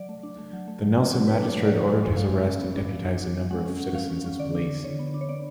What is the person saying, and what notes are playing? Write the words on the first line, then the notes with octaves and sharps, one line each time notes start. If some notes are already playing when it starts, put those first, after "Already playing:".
The Nelson magistrate ordered his arrest and deputised a number of citizens as police.
Already playing: F#3 D5
A3
D4
A3
F#3
A3
F#3
D4
F#3
A3 B4
D4
F#3
D5
F3 C#5
G#3
G#3
G#3 F5
G#3
C#4
B3
D4
F3
D4
D4
F3
G#3 F#5
C#4
C#4
C#4 F5
C#4
C#4
D3 D5
D4
D4
D3 C#5
B3
D4
C#5
B3 D5